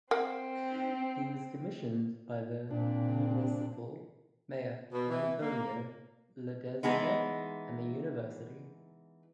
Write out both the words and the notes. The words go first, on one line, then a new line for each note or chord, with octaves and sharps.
He was commissioned by the municipal mayor Antonio Ledezma and the university.
C4 A#4 F5 F#5
A#2 C4 D4
B2
E3
A#3
E3 G#3 B3 D#4